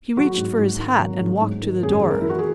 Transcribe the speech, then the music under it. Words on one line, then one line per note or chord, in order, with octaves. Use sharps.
He reached for his hat and walked to the door.
F#3 F#4
G#2
G#2
D#3
F#3
G#2
G#2
D#3
F#2 G#4
F#2 G#4
A#4
E3 E4
F#4
G#4